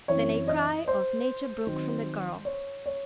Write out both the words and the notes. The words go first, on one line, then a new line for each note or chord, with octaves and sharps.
Then a cry of nature broke from the girl.
F#2 E3 C4 E4 C#5
D#5
C5
D#3 F#3 C4 D#4
C#5
C#5